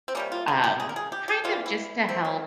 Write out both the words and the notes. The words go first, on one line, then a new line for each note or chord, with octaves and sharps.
Um, kind of just to help
C4
C3 G3 A#3 C#4
F4
G#4
G4
G#4
A#4
G#4
G4
G4
C3 E3 G3 F4
E4
C4
C#4